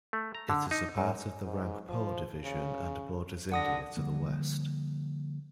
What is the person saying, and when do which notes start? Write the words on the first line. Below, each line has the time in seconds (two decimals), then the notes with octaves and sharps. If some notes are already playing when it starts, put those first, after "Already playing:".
It is a part of the Rangpur Division and borders India to the west.
0.13 A3
0.35 A#5
0.50 D3
0.71 D#4
0.98 F#2
1.44 G#2
1.89 F3
2.44 C#3
3.52 D3 F#5 D#6 A#6
3.97 D3 F3 G3 A#3